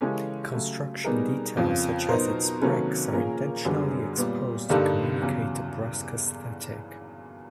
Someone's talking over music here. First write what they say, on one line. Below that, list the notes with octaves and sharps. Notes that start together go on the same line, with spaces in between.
Construction details such as its bricks are intentionally exposed to communicate a brusk aesthetic.
C#3 E3 G#3 C#4 G4 A4
C#3 F#3 A3
B2 G3 B3 D#4 G#4 A#4
F2 C#3 F3
B2 F#3 B3 D#4 A#4 C5
C3 D#3 F#3 A#3 C#4 A4 B4
A#2 F3 A#3 C#4 G#4 A#4
F#2 D3 G3 B3 D4 F#4 G#4
A#2 G3 B3
G2 D3 G3 A#3 D#4 G4 A4
E2 C#3 F#3